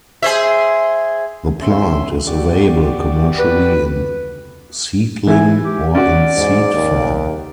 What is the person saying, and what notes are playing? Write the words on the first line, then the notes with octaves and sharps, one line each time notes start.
The plant is available commercially in seedling or in seed form.
G#4 C5 E5
C#4 E5 C6
F#4 G4 D5
B4
E3 E4 G#5
G4
C#4 F#4 D5
G#2
D#2